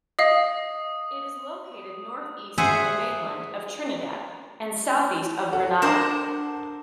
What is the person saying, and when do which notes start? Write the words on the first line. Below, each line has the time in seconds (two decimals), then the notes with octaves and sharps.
It is located northeast of the mainland of Trinidad and southeast of Grenada.
0.19 D#5 F5 D#6
2.58 G#4 C5 E5 F#5 G#5
5.53 A4 F#5
5.82 D4 A#4 C5